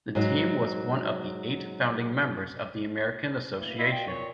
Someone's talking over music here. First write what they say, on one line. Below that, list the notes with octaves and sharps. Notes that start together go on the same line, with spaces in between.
The team was one of the eight founding members of the American Association.
G#2 F#3
E3 A3 A#3
E4 F4 D5 D#5
G5
A#2 C#5